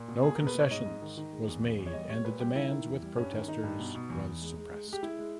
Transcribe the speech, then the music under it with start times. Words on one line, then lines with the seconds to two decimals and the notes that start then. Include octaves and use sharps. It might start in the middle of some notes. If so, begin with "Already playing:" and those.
No concessions was made and the demands with protesters was suppressed.
Already playing: A#2
0.08 B2
0.23 G#3 G#4
0.35 B2 A#4
0.47 B4
0.55 B2 C#5
0.71 G#2 D#5
0.86 G#2
1.02 D#3
1.17 D#3
1.32 G#3
1.47 E2
1.63 C#3
1.79 E2
1.87 C#5
1.93 G3 D#5
2.09 G3 C#5
2.25 A#2 B4
2.40 G3 G4
2.56 D#3 E4
2.71 D#3
2.86 E2
3.02 G3
3.17 G2 C#4
3.33 D#3
3.48 D#3 D#4
3.63 G2
3.79 B2
3.95 B2
4.10 E2
4.26 E2
4.41 G#3
4.57 G#3
4.72 G#3
4.88 G#3 G4
5.03 G#3 E4
5.19 G#3